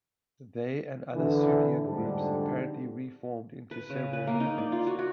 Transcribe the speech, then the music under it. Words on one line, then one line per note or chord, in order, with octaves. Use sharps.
They and other Suebian groups apparently reformed into several new groups.
D3 E3
F2 G#2 D3 G3 A3 D4
B4
C#3
B4
A#3
D#4
D5
F4
F#4
F#4